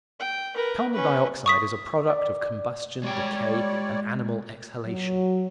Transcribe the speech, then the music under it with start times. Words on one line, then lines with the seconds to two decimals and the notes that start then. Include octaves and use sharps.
Carbon dioxide is a product of combustion, decay, and animal exhalation.
0.20 G5
0.55 A#4 B4
0.93 C#4 B4
1.46 C#6 D#6 B6
2.10 D5
3.03 G3 G#3 C#5 D5 G5
4.85 F#3